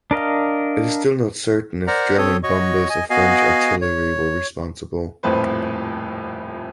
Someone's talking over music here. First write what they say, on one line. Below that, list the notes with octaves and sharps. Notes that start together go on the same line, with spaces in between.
It is still not certain if German bombers or French artillery were responsible.
D4 A#4 D#5 F5
A#4 C5 D5 F#5 A#5
C4 A4 C#5 D#6
F#4 C#5 D#5 C#6
D#5 G#5
B3 F#4 D#5 F5 G#5
C#5
D#1 F2 A2 F3 B4 C5